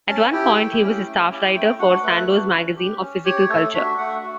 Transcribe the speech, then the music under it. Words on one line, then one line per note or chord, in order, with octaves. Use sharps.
At one point he was a staff writer for "Sandow's Magazine of Physical Culture".
C#4 A5
E4 G4 G5
A3
C#4 E4 G4
A3
C#4 E4 G4
A3 G5
D4 F#4 F#5
A3 B4
D4 F#4
C#4
G4
C#4
G4 C#5
A3 A4
D4 F#4 E5
A3 F#5
F#4